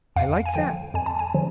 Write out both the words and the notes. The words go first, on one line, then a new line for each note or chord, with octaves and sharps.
I like that.
F2 F5
G#5
D3 F3 G5
F2 G#5
A5
G#5
D3 F3